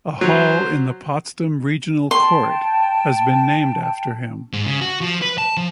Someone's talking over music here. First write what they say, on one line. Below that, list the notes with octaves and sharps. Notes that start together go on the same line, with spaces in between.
A hall in the Potsdam Regional Court has been named after him.
F#3 C5
G5 A5 C6
G#2
C#3
F#4
F3
B4
A5
F3